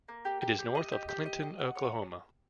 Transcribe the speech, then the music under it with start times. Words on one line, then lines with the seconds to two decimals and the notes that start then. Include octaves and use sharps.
It is north of Clinton, Oklahoma.
0.08 A#3
0.25 G4
0.42 G4
0.59 G4
0.75 D#5
0.92 G4
1.09 G4
1.26 D#5
1.42 D#5
1.59 F#5
1.75 C#5